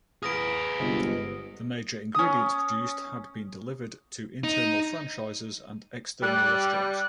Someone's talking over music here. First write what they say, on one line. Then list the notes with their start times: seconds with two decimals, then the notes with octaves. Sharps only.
The major ingredients produced had been delivered to internal franchises and external restaurants.
0.23 G#4 B4 F5 A#5 C#6 D#6 A#6 D7
0.79 G1 C3 G#3 B3
2.15 C#4 D#6
4.44 D#4
6.23 G3 F#6